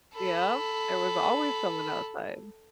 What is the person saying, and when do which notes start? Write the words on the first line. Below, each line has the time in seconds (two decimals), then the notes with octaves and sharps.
Yeah, there was always someone outside.
0.14 A4 B5